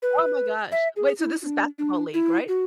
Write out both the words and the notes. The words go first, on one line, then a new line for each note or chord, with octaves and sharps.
Oh my gosh. Wait, so this is basketball league, right?
B4
E5
G#4
E4
D4
D4
E4
F#4